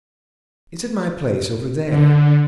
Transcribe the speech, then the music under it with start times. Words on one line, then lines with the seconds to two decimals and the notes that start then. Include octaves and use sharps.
It's at my place over there.'
1.89 D3